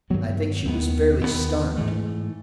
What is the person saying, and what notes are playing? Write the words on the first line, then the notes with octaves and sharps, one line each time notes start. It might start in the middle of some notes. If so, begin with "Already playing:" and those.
I think she was fairly stunned.
G2 D#3 F#3 B3
D#2 D#3 F#3 B3
D#2 D#3 F#3 B3
G#2 E3 A3